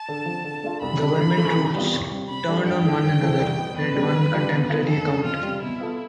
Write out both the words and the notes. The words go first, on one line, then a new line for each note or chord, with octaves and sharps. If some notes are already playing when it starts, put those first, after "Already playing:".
"Government troops turned on one another," read one contemporary account.
Already playing: A5
D3
F3 C4
D3
A3 D4 F4
C2 B5
C3 G3 D4 A4
D3
F3 A3
C3
G3 B3 F4
C2
C3 G3
C3 B5
G3 D4 A4
G2 G5
D3 A3 E4
G2
E3 A3 C4 E4
C2
B2 B3
E2 B4
B2 G3
F2
E3 G3 D4 F4
B2
B3 F4 A4
F2 A4
D3 A3
F2 F4
C3 G3
B2 E4
B3 F4 A4